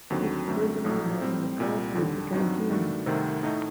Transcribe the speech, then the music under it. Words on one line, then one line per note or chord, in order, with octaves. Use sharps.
Each prisoner has an account with the canteen.
D#2 D3 F#3 C4 F#4
F#2 D3 A3 C4
A#1 A2 F#3
A2 G3 C4
C2 A#2 G3
D#2 D3 G3
G2 F#3 C4 D#4
G2 D#3 A3 D4 F#4
C2 C3 D#3 A3 C4
A2 A3 D#4